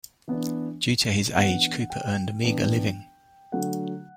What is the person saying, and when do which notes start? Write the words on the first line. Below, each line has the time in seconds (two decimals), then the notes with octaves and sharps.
Due to his age Cooper earned a meager living.
0.28 E3 B3 D4
1.35 E3 B3 D4 F#5
1.80 F#5
1.90 G5
2.44 E3 B3 D4
3.52 D3 F#3 A3 F#5